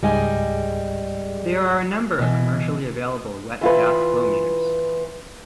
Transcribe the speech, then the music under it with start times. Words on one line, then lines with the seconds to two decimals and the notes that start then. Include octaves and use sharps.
There are a number of commercially available wet gas flow meters.
0.03 C#2 G#2 G3 G#4 D#5 G#5
2.19 B2 E3
3.61 E3 F4 B4